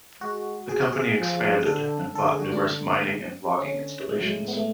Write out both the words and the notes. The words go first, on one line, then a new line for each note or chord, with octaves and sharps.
The company expanded, and bought numerous mining and logging installations.
G#3 F#4
G#4
F#4
G#4
F3
G#4
D3 A4
D3 A4
G#4
F#4
D4
D3 C#4
A2 G#3
F#3
G#3
B3
A3